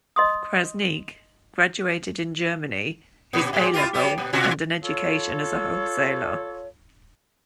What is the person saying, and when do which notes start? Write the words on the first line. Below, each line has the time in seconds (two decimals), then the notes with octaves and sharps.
Krasniqi graduated in Germany his A-Level and an education as a wholesaler.
0.16 D#5 C6 D#6
3.33 A#2
3.53 A2 C3 G#3
3.74 E4 F4 G4
3.94 F#3 G3 G4
4.18 A#2
4.33 B2 F4 F#4
4.82 F4 A4 C#5